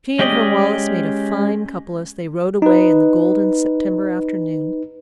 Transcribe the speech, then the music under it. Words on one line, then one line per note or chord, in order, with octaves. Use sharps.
She and her Wallace made a fine couple as they rode away in the golden September afternoon.
G#3 C#4 G4 D5 D#5
D#4 B4